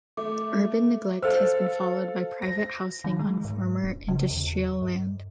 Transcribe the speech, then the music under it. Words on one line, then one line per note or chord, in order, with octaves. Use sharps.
Urban neglect has been followed by private housing on former industrial land.
A3 D6
A4 C5 F5 E6
A#6
D#3
G#3
G#2
F1
C#3
E2
G2